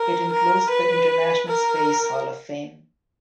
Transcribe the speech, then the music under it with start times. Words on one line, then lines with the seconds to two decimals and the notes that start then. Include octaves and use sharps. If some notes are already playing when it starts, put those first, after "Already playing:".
It includes the International Space Hall of Fame.
Already playing: A#4
0.33 A#4
0.70 B4
1.48 A#4